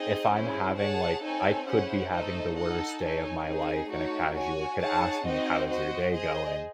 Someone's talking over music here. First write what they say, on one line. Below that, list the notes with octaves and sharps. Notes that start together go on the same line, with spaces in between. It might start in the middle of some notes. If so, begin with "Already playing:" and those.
If I'm having, like I could be having the worst day of my life, and a cashier could ask me, "How is your day going?"
Already playing: C4 D#4 G#4 D#5
C#4 E4 G#4 C5
G#4 C#5 F#5 A5
C4 D#4 A4 C#5 G#5
C#4 E4 G#4 C5 F#5
A3 D#4 A4 C5 D#5
D#4 A4 D#5 F#5
D#4 A4 C#5 G#5
C4 D#4 G#4
A3 D#4 F#4 C#5
F#4 C#5 G#5
D#4 G#4 C#5 F#5 A5
C4 D#4 F#4 C5 D#5
F#4 C5 D#5
G#4 C5 D#5